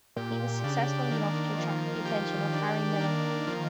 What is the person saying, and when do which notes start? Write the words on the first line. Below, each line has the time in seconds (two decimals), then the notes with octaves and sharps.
He was successful enough to attract the attention of Harry Miller.
0.16 A#2 G4
0.64 C#3 D4
1.11 D#3 A#3
1.58 F3
2.05 G4
2.53 D4
3.00 A#3
3.47 F3